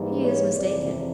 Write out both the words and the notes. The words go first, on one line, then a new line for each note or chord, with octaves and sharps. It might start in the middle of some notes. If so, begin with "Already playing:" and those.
He is mistaken.
Already playing: G#2 E3 G3 A#3
C#5
F2 C3 E3 D5